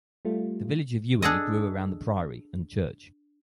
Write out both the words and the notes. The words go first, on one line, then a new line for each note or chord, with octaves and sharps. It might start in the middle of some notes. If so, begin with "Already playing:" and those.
The village of Ewenny grew around the priory and church.
G3 A3 F4
D4 G#4 A4 D#5